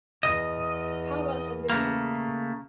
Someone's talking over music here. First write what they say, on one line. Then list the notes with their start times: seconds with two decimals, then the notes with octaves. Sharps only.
How about some guitar?
0.23 E2 D#5
1.70 C#3 A3 A#3